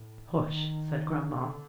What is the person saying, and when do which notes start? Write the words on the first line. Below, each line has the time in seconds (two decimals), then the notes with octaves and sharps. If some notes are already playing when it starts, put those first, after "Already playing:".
"Hush!" said grandma.
Already playing: A2
0.32 D#3
1.32 D3